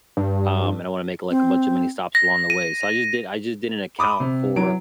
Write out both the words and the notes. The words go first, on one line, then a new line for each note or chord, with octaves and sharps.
Um, and I wanna make like a bunch of mini stops along the way. So I just did I just didn't account for
G2
C4
A#6
D#7
B5 D6 D#6
C3
E3 F#3 D7